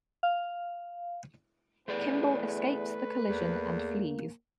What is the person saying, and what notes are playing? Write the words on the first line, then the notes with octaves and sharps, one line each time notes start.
Kimble escapes the collision and flees.
F5
E2 A3 G#4 B4 D5
E2 A#3